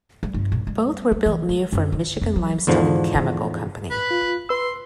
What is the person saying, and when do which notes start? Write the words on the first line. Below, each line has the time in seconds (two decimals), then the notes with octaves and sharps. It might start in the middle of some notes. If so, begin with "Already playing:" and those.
Both were built new for Michigan Limestone and Chemical Company.
0.23 G3
0.34 G1
0.52 A#2
0.67 G3
1.12 G3
1.26 E3
1.49 G#3
1.73 F#2
1.92 D3
2.21 F2
2.36 F#3
2.67 E2 G#2 D3 F3
3.90 B4
4.11 F4
4.49 B4 C6 E6